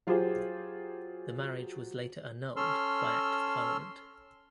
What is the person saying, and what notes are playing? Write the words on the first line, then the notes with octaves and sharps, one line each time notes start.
The marriage was later annulled by Act of Parliament.
F#3 F4 G4 G#4 C5
C#4 A4 C6 E6 F6